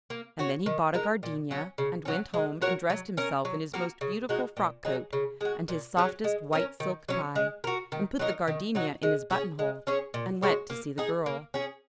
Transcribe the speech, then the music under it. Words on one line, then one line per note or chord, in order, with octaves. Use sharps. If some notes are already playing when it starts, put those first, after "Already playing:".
And then he bought a gardenia, and went home and dressed himself in his most beautiful frock-coat and his softest white silk tie, and put the gardenia in his button-hole--and went to see the Girl.
A#3
F#4 C#5
D#3
G#3 D#4 A#4
A#2
F#3 C#4
C#3
F#3 C#4
G#3
F#4 A#4 C#5
F#3
C#4 A#4
F#3
A#3 F#4 A#4
C#3
G#3 D#4 F#4
A#2
F#3 D#4 G#4
C#3
G#3 F#4
A#2
F#3 C#4 G#4
G#3
C#4 A#4 C#5
D#3
F#3 C#4
G#3
F#4 A#4
D#3
F#3 D#4 A#4
D#3
F#3 D#4 F#4
G#3
C#4 G#4
G#3
C#4 G#4 C#5
A#2
G#3 F#4 C#5
A#3
D#4 G#4
A#3
C#4 G#4